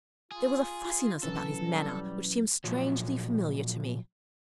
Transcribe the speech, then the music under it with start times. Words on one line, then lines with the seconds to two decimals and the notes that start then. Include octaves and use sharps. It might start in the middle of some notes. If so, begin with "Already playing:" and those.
There was a fussiness about his manner which seemed strangely familiar to me.
0.31 F4 G#4
1.23 B2 E3 F#3 C#4 A4 B4
1.62 G3
2.64 A#2 F3 F#3